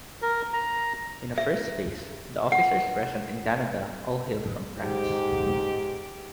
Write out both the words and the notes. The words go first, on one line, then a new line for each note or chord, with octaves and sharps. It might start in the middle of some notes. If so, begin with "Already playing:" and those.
In a first phase, the officers present in Canada, all hailed from France.
A#4
A#5
E5
F#5
G#2 G4